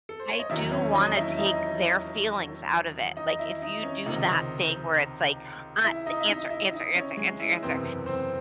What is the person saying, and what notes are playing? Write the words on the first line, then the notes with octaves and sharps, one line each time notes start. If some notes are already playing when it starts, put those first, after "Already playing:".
I do wanna take their feelings out of it, like, if you do that thing where it's like, at "Answer, answer, answer, answer, answer."
A4
C5
C#5
D#5
E1 D#2 D#3 F#3 E4 E5
C#4 C#5
D#4 D#5
E4 E5
D#4 D#5
D#4 D#5
E4 E5
D#4 D#5
C#4 C#5
C#2 C3 D#3 D#4 D#5
E4 E5
D#4 D#5
E5
D#4 D#5
E4 E5
D#4 D#5
C#4 C#5
G#3 G#4
E4
F#1 E2 C3 E3 C4 C5
C4 C5